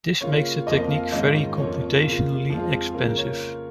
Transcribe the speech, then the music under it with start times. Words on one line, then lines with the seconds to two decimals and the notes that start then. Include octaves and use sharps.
This makes this technique very computationally expensive.
0.21 C#3 A#3 F4 C#5
0.67 F2 F3 A#3 D#5
0.89 F5
1.12 G#2 D#3 C#4 F4 D#5
1.58 F2 F3 A#3 C#5
2.03 C#3 A#3 F4
2.49 F2 F3 G#3 F4
2.87 G#4
2.94 C#3 A#3 F4 A#4
3.06 A#4
3.17 C#5